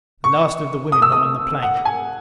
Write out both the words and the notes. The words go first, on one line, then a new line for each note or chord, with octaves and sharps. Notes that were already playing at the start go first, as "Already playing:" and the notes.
The last of the women were on the plank.
C#6
D#6
E6
D#6
F#5
G#5